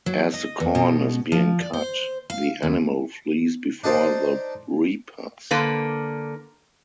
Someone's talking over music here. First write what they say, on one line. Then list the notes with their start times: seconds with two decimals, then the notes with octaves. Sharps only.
As the corn is being cut, the animal flees before the reapers.
0.06 F#3
0.33 D#5
0.60 E2
0.75 B2
1.32 F3
1.60 D5
1.73 C5
2.30 F5
2.63 D#2
3.84 D4 D#4 A4 C5
5.51 D3 A#3 B4